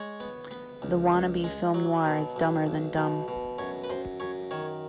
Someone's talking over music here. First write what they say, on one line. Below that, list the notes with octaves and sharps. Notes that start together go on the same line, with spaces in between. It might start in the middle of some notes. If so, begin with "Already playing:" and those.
The wannabe film noir is dumber than dumb.
Already playing: G#3 C#5
B3
B3
C#2
C#2
G#3
F#3
B2
B1
B1
B2
B2
F#2 C#5
B4
F#2 C5
F#2 C#5
D#3 C#5